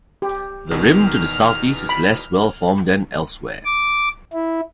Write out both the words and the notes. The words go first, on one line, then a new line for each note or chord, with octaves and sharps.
The rim to the southeast is less well-formed than elsewhere.
G4
E2 B2 D#3 F6
B5
D6
E4